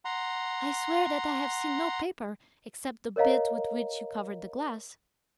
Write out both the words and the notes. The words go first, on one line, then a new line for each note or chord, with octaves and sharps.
"I swear that I have seen no paper except the bit with which you covered the glass."
F#5 A#5 C6
A#4 C#5 D#5 F5 A#5